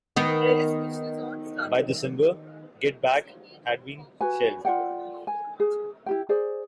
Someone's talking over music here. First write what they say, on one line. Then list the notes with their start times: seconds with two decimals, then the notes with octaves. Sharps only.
By December, "Get Back" had been shelved.
0.16 D#3 B3
4.21 F#4 B4 G#5
4.65 F4 D5 F#5 G5
5.27 G#5
5.60 G#4
6.06 E4 G4 G5
6.29 G#4 C5 D5